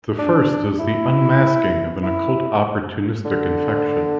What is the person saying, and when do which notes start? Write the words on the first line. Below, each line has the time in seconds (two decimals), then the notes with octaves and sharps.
The first is the "unmasking" of an occult opportunistic infection.
0.19 D4
0.79 E4
2.03 E4
3.25 D3